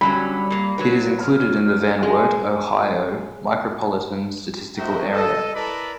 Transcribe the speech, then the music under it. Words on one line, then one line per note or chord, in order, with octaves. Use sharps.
It is included in the Van Wert, Ohio Micropolitan Statistical Area.
D3 F#3 G3 C#4 B5
A#2 A#3
F#3 F#4 B4
F6
G#3
F#4 A#4 C5 D#5 E5 G5
A4 D#5
E4 A#4 B4 D5 A5 B5